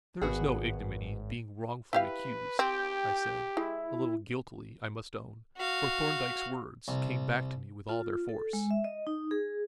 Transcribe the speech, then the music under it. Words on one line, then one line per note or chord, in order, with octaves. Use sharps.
"There is no ignominy in being wrongfully accused," I said--a little guiltily, I must own, for Thorndyke's words came back to me with all their force.
G#1 B3 F#4 G#4
E4 G4 B4 F5
C4 G4 G5
G#3 E4
F#4 F5
C2
F4
A4
G#3
E5
D#5
D#4
G#4